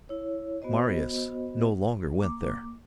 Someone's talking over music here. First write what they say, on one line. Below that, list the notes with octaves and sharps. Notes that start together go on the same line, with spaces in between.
Marius no longer went there.
E4 C#5
B3 F#4 C5 D#5
A#3 D6